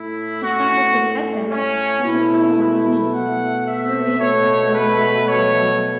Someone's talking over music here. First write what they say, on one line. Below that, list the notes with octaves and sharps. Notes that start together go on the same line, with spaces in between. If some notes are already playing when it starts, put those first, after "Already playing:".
He sat with his head bent and his elbow on his knee; brooding, brooding, brooding.
Already playing: A2 A3 E4
F#4
C#4
B2 A3 E4
F#5
E5
B2 A3 C#5
B4
C#5